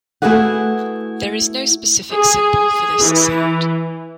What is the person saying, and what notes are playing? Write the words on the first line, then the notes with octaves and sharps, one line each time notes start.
There is no specific symbol for this sound.
A3 E4 F#4 G#4 B4 F#5
G#4
E3